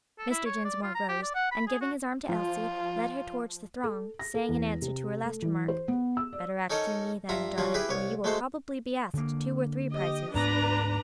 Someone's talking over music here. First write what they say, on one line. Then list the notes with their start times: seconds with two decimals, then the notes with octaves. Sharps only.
Mr. Dinsmore rose, and giving his arm to Elsie, led her towards the throng, saying in answer to her last remark, "Better act through me, then, daughter, or you will probably be asked two or three prices."
0.18 A4
0.30 E4
0.45 C#5
0.64 D5
0.83 F4
0.95 A#5
1.08 G4
1.22 D5
1.35 F#5
1.52 B5
1.67 G#4
1.81 F#4
2.29 F3 F4
3.84 A4
4.19 A#6
4.34 A4
4.49 E2
4.82 C3
5.23 A3
5.42 E3
5.68 C5
5.88 B3
6.17 E6
6.33 D5
6.70 C#4 D#4 A4 A#4 C#5 D#5
7.29 G2 F4 E5 A#5
7.58 G2 F#3 C#4 F4
7.74 E4 G4 G#4 B4
7.89 C2 C#5
8.24 G#3 A3 F#4 C5
9.14 D3 A#3
9.93 G4 D#5
10.34 D2 G#2 B3 D4 B4 A#5